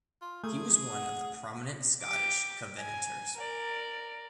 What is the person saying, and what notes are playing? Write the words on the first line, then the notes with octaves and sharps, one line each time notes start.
He was one of the prominent Scottish Covenanters.
F4
A3 G#4
F#5
G4 D6
G#5
A#4 D5